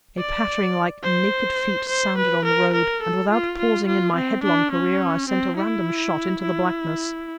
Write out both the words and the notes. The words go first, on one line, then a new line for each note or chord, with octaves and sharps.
A pattering like naked feet sounded on the road, and, without pausing in my headlong career, I sent a random shot into the blackness.
D5
C5
C5
B4
A#4
A#4
A4
F4
F4
F4
C4
D4
C#4
C4
E4
E4